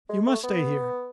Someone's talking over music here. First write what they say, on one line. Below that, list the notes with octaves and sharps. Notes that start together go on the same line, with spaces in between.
You must stay here.
G#3
A3
B3